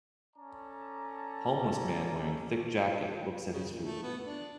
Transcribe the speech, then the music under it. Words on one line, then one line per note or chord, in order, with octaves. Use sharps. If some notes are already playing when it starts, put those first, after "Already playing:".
Homeless man wearing thick jacket looks at his food.
C#4 A4 D5 A5 A#5
C#3
A#2
A3
B3
D4